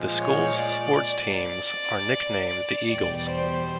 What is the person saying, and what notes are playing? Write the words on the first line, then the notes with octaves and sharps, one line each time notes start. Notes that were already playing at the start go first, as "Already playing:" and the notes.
The school's sports teams are nicknamed the Eagles.
Already playing: A#2 F3 G#3
C#5
D5
D5
E2 B2 G3 D5
C5